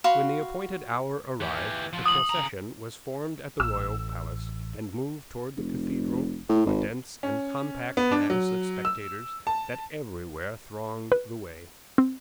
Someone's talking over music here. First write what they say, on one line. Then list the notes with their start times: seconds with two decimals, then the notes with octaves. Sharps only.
When the appointed hour arrived the procession was formed at the royal palace, and moved toward the Cathedral through a dense and compact mass of spectators that every where thronged the way.
0.04 F#4 F5 B5 C6
1.41 E3 G4
1.93 F3 F#3
2.06 D#6 F#7
2.30 C#3 A#5
3.60 A1 E6
5.56 F1
6.49 A2
6.66 G#1
7.23 C#4
7.97 B3
8.11 D4
8.30 F#3
8.85 E6
9.47 A5
11.12 B4
11.98 C4